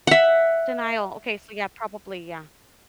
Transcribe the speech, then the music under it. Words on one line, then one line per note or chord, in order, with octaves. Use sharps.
Denial. Okay, so, yeah, probably, yeah.
E5 F#5